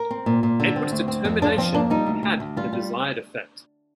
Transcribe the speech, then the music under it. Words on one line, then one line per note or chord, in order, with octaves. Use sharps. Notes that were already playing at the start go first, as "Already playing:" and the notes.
Edward's determination had the desired effect.
Already playing: A#4
C4
A#2
A#2
D3
C4
D2
C4
F2 C4
F3 D4
F2 C4
A#3 D4
G3 D#4
D2
D2
D2
G3 F4
G3